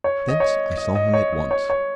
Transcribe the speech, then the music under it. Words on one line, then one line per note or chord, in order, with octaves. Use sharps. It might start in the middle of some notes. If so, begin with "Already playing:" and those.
Thence I saw him at once.
C#5
D#5
C#5
D#5
D#5
C#5
D#5
C#5
C#5